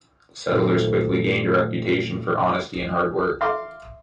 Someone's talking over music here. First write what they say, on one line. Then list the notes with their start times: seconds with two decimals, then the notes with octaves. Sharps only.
The settlers quickly gained a reputation for honesty and hard work.
0.51 A#2 D#3 F#3 A3 C4
3.41 E5 F5 C6 D6